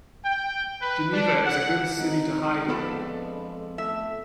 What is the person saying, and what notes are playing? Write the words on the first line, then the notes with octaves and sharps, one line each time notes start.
Geneva is a good city to hide in.
G5
B4
D4
F#5
G#1 D#4
F2 G#3 B3 D4 A4 B4
A3 E5